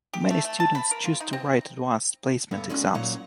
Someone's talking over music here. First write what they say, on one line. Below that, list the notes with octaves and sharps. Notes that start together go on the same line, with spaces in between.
Many students choose to write Advanced Placement exams.
G4
A3
A3
A5
B5
A#4
F4
D#4
C4
G2 D3 B3
G#3 C#4 D4 F#4
A#2 F#3 C#5 F#5